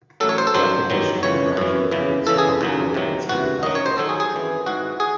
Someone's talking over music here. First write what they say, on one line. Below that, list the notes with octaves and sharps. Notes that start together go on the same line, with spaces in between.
The application of Lagrangian methods to polar coordinates can be found here.
A1 A2 F#3 A4
C#5
C5
A4
F#2 D#3 F#3 C5
E2 D#3 F#3
C#2 C#3 E3 C#5
F#2 E3
E2 C#3 E3
E2 C#3 E3 A4
G#4
D#2 C#3 F#3
E2 C3 D#3 F#3
C#2 C3 E3 F#4
F#2 D#3 F#3 D#5
C#5
C5
D#2 D#3 F#3 A4
G#4
G#4
G#1 F#2 E3
G#1 G#2 E3 F#4
G#4